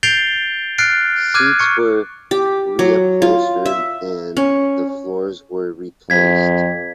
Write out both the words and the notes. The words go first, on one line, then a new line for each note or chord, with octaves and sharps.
Seats were reupholstered, and the floors were replaced.
G6 A6 C7 D7 F7 G7
F6 F#6 A6 C7 D7
D6 F6 F#6 G#6 D#7
C#6 C#7
G4
F#3
F4
E5
C#4
F2 G#6 B6